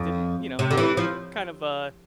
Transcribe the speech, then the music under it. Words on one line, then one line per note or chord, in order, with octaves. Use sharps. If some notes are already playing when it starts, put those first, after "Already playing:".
didn't, you know, they would kind of, uh,
Already playing: F2
C3
D3
E3
F3